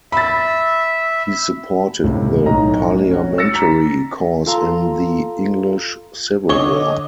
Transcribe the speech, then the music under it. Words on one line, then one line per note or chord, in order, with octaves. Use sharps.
He supported the Parliamentary cause in the English Civil War.
E5 B5 A6
C#2 A2 C3
B1 A2 D#5 A#5
C#4 F#4
E6 A6 A#6 C#7
A#5 A6 B6
F4 A4 F5 A#5 C6
D3 C#5 D#5 D6 G7